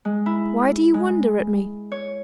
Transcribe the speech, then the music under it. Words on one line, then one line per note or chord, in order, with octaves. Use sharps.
Why do you wonder at me?
G#3
E4
G#3
C#5